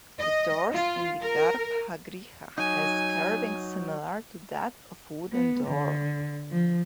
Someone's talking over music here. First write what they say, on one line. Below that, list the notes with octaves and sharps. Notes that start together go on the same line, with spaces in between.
The doors in the garbhagriha has carving similar to that of wooden door.
D#5
F4
A#4
F#3 D#4 G#5
B3
D3
F3